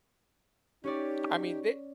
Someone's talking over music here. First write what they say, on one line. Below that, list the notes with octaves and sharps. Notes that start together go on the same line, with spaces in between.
I mean, they
C#4 D#4 G4 C#5 D5